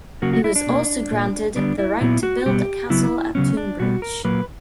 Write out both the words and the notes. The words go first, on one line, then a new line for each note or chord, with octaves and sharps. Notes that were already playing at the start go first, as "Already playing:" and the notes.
He was also granted the right to build a castle at Tonbridge.
C#3 F#3 A#3 F#4
F#4
E4
D4
B2 A#3
A#2 A#3
D3 G3 B3 D4
E4
A#2 F#3 B3 E4
F#4
B2 G3 B3 G4
C#3 F#3 B3 E4
C#3 F#3 B3 C#4
D4
B2 G3 B3 F#4
A#4
A#2 F#3 A#3 B4